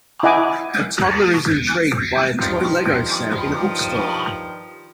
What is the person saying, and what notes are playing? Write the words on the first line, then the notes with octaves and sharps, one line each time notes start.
A toddler is intrigued by a toy lego set in a bookstore.
E4 D#5 F#5 G#5 D6
G2 D#3 F3